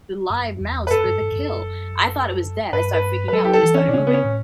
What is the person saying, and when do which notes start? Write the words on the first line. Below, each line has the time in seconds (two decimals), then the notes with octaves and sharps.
the live mouse for the kill. I thought it was dead. I started freaking out when it started moving.
0.30 F#2
0.61 E2
0.87 B4
0.90 F#2 A4
1.05 G2
1.21 G2
1.32 G2
1.36 F#2
2.73 G2 B4
2.93 B4
3.28 B4
3.33 F#3 A4
3.44 G4
3.53 A4
3.63 E3
3.74 C#4
3.88 B2 D4
3.93 C#3 C#4
4.07 B3
4.14 C#4
4.24 A2